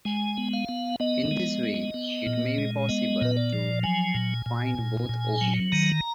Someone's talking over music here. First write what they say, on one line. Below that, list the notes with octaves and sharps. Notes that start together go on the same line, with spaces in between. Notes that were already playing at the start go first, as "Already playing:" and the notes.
In this way, it may be possible to find both openings.
G#3 G#5
B3
F5
B3
B3 D#5
G#3
B3
B3
A#2
G#3
B3 D#5
A#2 B4
D5
F3
F#3 G#5
A#2
A#2
A#2
A#2
F#3
D#3 A#5